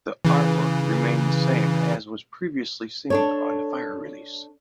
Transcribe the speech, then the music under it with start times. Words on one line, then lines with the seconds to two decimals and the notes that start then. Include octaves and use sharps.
The artwork remained the same as was previously seen on the Fire release.
0.25 C#3 E3
3.10 D4 A4 C#5